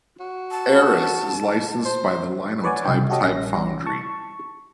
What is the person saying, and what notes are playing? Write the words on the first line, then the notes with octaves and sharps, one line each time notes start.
Eras is licensed by the Linotype type foundry.
F#4
A5
C5
B4 C#5 D5 F#5 G#5
C2 C#3 G5
F#4 G4 A4 C#5 D#5
A#1 G3 C#4 A#6
A5 C#6